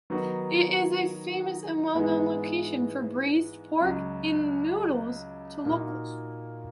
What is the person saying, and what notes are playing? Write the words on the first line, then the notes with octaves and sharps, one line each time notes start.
It is a famous and well-known location for braised pork in noodles to locals.
D#3 F#3 B3 D#4 F#4
G#2 E3 G#3 B3
C#2 C#3 F#3
A#2 A#3 D#4 F#4